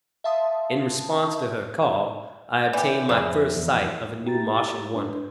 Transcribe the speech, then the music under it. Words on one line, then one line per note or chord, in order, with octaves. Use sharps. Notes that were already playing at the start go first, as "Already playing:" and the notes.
In response to her call I obtained my first sight of a new Martian wonder.
E5 F5 A5 C6 D#6
E3 G4 D5
F2 E3 G#4 C5 D5
E2
E4 G4 G5 A#5 A6
G#2 D4 B4 C6